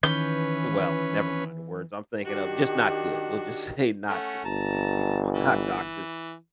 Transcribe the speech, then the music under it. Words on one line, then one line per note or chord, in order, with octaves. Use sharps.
well never mind the words I'm thinking of just not good. We'll just say not good. We we don't want, our doctors
D#3 E3 C#4 B4 G6
D#3 D4 F#4 G4
A3 C#4 F#5
G1 A5 A#5
E3